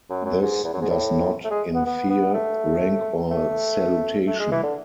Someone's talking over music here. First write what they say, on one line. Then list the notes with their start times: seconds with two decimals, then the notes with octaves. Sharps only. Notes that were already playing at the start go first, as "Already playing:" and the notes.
This does not infer rank or salutation.
0.10 F#2
0.25 F#2
0.42 G#2
0.64 E2
0.73 F#2
0.82 G#2
0.90 A2
1.44 A3
1.51 G#3
1.75 B3
1.86 B3
2.10 B3
2.34 A3
3.31 A3
4.27 A3
4.40 G#3
4.52 E3
4.63 D3